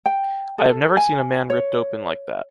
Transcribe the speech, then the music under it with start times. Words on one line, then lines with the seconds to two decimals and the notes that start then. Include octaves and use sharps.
I have never seen a man ripped open like that.
0.06 G5
0.58 A4
0.97 G#5
1.50 C#5